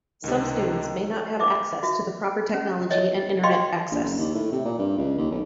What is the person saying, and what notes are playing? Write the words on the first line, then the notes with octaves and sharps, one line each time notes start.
Some students may not have access to the proper technology and internet access.
C#2 C3 D#3
E5 D6
F#4 E5
C#4
C#5 D#5 E5
D5 D#5 F5 G5 C6 C#6
A#1
F#1
D#2
A2
C3
A#2
G2
C#2
D#2
B1